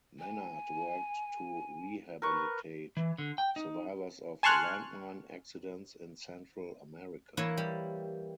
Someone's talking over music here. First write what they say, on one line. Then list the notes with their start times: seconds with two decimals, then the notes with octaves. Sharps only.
Menard worked to rehabilitate survivors of landmine accidents in Central America.
0.19 G#5
2.22 A#4 B4 C#6
2.97 E3
3.18 D3
3.38 G5
3.56 D#4
4.43 G#5 A5 C6 C#6 F6 F#6
7.37 E3 A#3 E4 C#5 E5
7.57 G3